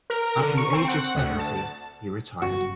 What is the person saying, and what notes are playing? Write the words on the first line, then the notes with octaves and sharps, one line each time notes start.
At the age of seventy, he retired.
A#4
D3
C#6
C4
F#5
D2
A5
F#1 G2 C#4 F#4